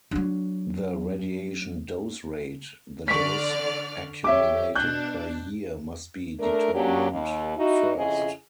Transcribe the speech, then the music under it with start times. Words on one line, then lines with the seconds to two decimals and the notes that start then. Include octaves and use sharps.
The "Radiation Dose Rate" - the dose accumulated per year-must be determined first.
0.11 F#3 D4
3.08 D3 D5 C#6 F6 B6
4.24 G4 C#5 E5 D6
4.76 B2 D4 F#6 G6
6.40 A3 D4 A#4
6.75 F#3 A#3 C#4 D4 G4
7.12 D#2
7.58 D#4 E4 F#4
7.97 F2 C#3 E4 G#4 D#5